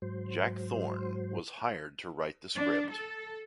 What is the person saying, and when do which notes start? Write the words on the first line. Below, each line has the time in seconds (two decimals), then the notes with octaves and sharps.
Jack Thorne was hired to write the script.
0.02 G#2 F#3 C5
2.57 D4
2.91 A4